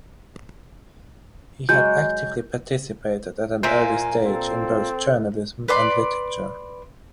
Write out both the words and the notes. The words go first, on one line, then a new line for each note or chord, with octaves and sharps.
He had actively participated at an early stage in both journalism and literature.
F#3 G#3 G6
A#2 A#3 F4 C5 E5 G#5
C4 A4
B4 D5 C6